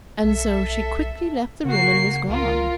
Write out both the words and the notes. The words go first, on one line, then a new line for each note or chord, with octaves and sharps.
And so she quickly left the room and was gone.
B1 A4 E5
C#3 A#3 F#4 C7
C#2 F4 A#4